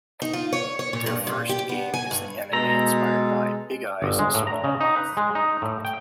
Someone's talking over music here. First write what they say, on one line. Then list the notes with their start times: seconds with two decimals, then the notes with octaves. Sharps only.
Their first game is the anime inspired "Big Eyes, Small Mouth".
0.22 D#4
0.33 F4
0.53 C#5
0.79 C#5
0.93 A#2
1.06 G2
1.27 A#2
1.49 G4
1.69 B3
1.94 G#5
2.11 G2
2.53 B2 G#3 A4 A#5
4.02 G1
4.19 G#3
4.34 A2
4.47 A#5
4.64 C#3
4.81 D#4
4.96 B4
5.17 G#3
5.35 D#4
5.62 A2
5.85 G5